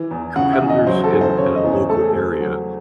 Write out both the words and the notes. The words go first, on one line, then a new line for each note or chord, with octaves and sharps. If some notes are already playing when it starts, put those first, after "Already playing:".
competitors in in a local area,
Already playing: E3
E2
C#3 F#5
E5
E2
D#5
F#3 C5
A4
E2
C5
C#3 C#5
D#5
E2
C#5
A3 A4
G#4
A4
C4
F#3